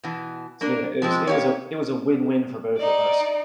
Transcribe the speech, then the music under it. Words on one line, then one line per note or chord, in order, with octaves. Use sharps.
yeah, it was it was a it was a win-win for both of us
B2 E3
A#3 D4 A#4
F3 G#3 C4
A#3 G4 C#5
D#4 D5